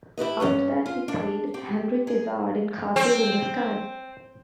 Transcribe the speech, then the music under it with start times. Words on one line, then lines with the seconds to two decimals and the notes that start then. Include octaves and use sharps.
After that, he played Henry Tizard in "Castles in the Sky".
0.18 E4 G4 B4 D#5
0.40 E2 G2 C#4
0.86 F4
1.08 D4
1.54 C4 G4
2.07 G#4
2.96 C4